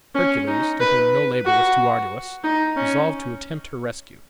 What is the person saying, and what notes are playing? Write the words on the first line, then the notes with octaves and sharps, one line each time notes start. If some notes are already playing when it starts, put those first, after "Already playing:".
Hercules, to whom no labor was too arduous, resolved to attempt her rescue.
C#4
D#4
B4
F#4
D#4
C#4